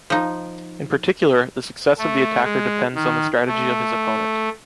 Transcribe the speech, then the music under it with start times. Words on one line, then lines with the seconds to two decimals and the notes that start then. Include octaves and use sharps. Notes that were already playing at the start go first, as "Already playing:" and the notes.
In particular, the success of the attacker depends on the strategy of his opponent.
0.10 F3 D#4
1.98 A3
2.44 G#3
2.95 D#3
3.47 A3